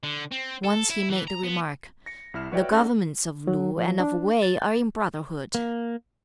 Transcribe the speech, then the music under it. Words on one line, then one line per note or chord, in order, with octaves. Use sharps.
Once he made the remark, "The governments of Lu and of Wei are in brotherhood."
D3
C4
A4
E4
E3
A#5
B3
A#6 C#7
C2 E4 F6 E7
F#4 B4 C#5 D5 E5 G5
G#3 C#4 D#4 A4 F#5 A#6
F#3
F3
D4
A6
A#3